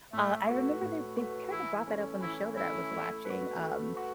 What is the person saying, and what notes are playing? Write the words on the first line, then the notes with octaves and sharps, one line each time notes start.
uh, I remember they they kinda brought that up on the show that I was watching, um,
A2 A3
A3 F#4 B4
A2
A3 F#4 B4
E3 E4
A3 C#4
E3 E4
A3 C#4 E4
A3
F#4 B4
A3
F#4 B4